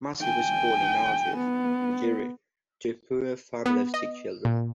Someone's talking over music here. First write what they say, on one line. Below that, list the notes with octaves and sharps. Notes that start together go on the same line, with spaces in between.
Massi was born in Algiers, Algeria to a poor family of six children.
G5 G#5
B3
B3
D#5
A#2